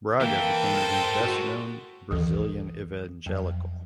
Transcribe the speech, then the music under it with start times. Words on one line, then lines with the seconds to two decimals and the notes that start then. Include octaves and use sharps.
Braga became the best known Brazilian evangelical.
0.21 E3 A#3 E4 A4 G5
0.75 G#3 A#4 C5
1.20 F#4
2.11 A#1 D#2 E3 A4
3.26 F2 F#3